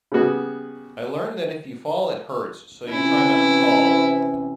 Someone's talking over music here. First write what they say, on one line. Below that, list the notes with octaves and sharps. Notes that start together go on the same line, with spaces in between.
I learned that if you fall it hurts, so you try not to fall.
C#3 G3 B3 F#4 G#4
C3 E3 C#4 E4